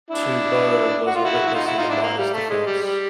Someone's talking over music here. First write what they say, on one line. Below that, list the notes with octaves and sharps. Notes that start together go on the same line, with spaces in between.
Toubeau was a witness in the miners' defence.
D4 E4
F#4
F4
E4 F#4
E4
D#4 F4
E4 F#4
D#4 F4
D4 E4
A#3
G3
A3
G#3
G3
G3